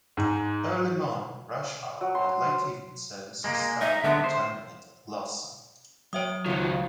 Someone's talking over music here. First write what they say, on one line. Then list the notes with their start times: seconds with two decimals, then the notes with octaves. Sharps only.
Early morning, rush hour and late evening services start or terminate at Glossop.
0.17 G#2
2.01 F#3
2.15 C6
3.44 G#3 A#3
3.81 D#4 E5
4.04 D3 G#3 B3 E5
4.24 C5
6.13 F#3 C#5 E5 G5 D#6
6.46 C#2 D#3 F3 F#3 F4 F#4